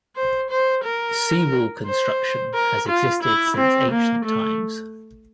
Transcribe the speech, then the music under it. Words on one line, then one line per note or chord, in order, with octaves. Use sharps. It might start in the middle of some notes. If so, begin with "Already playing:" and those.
Seawall construction has existed since ancient times.
C5
C5
A#4
C5
A#4
F4
E4
C4
A#3
A3